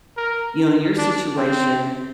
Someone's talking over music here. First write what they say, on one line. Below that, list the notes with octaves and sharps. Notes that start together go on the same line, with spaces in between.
you know, in your situation,
A#4
D4
C4